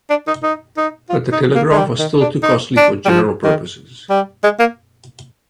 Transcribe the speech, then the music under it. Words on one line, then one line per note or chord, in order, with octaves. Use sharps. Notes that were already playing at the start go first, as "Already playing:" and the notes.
But the telegraph was still too costly for general purposes.
D4
D#4
D#4
D#4
F4
D#4
A#3
G#3
G3
D#3
D4
D#4
D4
G3
F3
D#3
G3
G#3
A#3